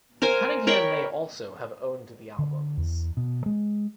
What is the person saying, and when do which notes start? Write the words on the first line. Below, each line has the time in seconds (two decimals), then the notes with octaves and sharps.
Cunningham may also have owned the albums.
0.22 A#4 C5 F5 G#5
0.67 A#4 C#5 G5 B5
2.39 D3
2.77 E2
3.17 B2
3.46 G#3